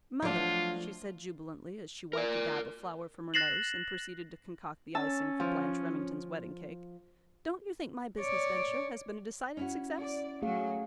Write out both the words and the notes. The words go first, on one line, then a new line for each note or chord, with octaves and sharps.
"Mother," she said jubilantly, as she wiped a dab of flour from her nose and proceeded to concoct the icing for Blanche Remington's wedding cake, "don't you think my business venture has been a decided success?"
F3 F#3 A3 D4 F4 D5
A#4 D5
F#6 A6 A#6 C7 E7 F#7
C#4 A5 E6
F3
C#5 D5
C#4 E4 F#4
D5
F#3 A3 G#4 F5